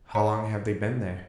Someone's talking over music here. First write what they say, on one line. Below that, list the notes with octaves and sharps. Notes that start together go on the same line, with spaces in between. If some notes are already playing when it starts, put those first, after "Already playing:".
"How long have they been there?"
C#5 A#5